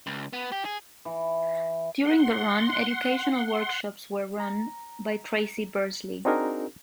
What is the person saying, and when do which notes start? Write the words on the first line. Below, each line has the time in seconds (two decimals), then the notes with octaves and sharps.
During the run educational workshops were run by Tracy Bersley.
0.07 C#2
0.33 B3
0.52 G4
0.65 G#4
1.05 E3
2.05 F#5 C6
4.40 A#5
6.25 C4 D4 D#4 F#4 G#4 A#4